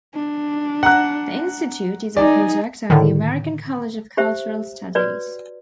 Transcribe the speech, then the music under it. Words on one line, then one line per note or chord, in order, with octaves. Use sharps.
The Institute is a project of the American College of Cultural Studies.
D4
F#5 A#5 F#6
D#4 G#4 D5
A2 D3 D#3
G4 C5 E5
F#4 B4 C#5 D5